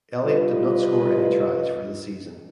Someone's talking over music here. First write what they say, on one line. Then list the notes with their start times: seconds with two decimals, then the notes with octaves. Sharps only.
Elliott did not score any tries for the season.
0.24 C3 G3 F4 B4 D#5